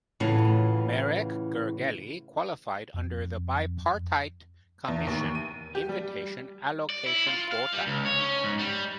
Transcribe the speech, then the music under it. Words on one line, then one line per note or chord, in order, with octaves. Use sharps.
Marek Gergely qualified under the bipartite commission invitation allocation quota.
A2 C#3 E3 B3 F4
F2
E2
D#2
D#7
G4
G3
D5
E4
F4
F5
G3
C#2
C#5
C#4
G#2
G3